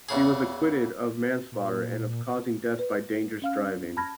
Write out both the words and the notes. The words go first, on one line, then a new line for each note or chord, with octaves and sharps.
He was acquitted of manslaughter, and of causing death by dangerous driving.
E2 C#3 G#4
A#2
B4
C#4 F5 F6
A5 B5 F6 G#6 A#6